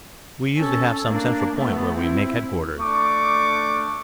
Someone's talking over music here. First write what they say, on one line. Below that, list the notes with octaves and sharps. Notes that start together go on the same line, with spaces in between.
We usually have some central point where we make headquarters.
C#4 A4
A#3 D4
A3 B3
C4 E4
A3 D4 C#6 D6